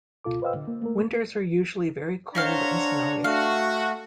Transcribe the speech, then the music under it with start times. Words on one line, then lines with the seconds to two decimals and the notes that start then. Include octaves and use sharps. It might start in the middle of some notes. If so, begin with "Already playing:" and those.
Winters are usually very cold and snowy.
0.24 C#2 B2 F4 A4 D6
0.42 B4 C5 D#5 F5 G5 E6
0.55 D3
0.68 A#3
0.82 A3 A#3 A#4
2.35 A3 D4 C5 C#5 F5 F#5 A#5
3.24 A3 F#4 F5